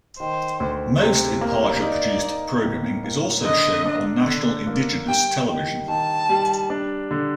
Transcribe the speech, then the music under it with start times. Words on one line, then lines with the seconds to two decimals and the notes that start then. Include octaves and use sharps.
Most Imparja-produced programming is also shown on National Indigenous Television.
0.20 D#3 C5
0.60 D2
1.02 C3
1.41 A#3
1.82 D#4 D5
2.23 D#4
2.64 A2
3.04 A#3
3.45 D3 D#5
3.86 D4
4.26 D3
4.67 A#3
5.08 G3 G5
5.49 D#3
5.88 D#3 A5
6.29 G3
6.70 D4
7.11 D3